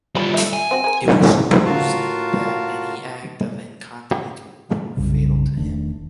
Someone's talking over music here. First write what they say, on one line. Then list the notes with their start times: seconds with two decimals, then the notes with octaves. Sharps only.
It was supposed that any act of incontinence would prove fatal to him.
0.15 F#3 G3 F4 B5
0.34 A3 E5
0.53 G#5
0.71 C4 F#4
0.84 G#4 A#4
1.65 A2 F4 F#4 A#4 F5 A5
4.97 B1 F#2 C#3 G3
5.56 E1 D#3 A3 D4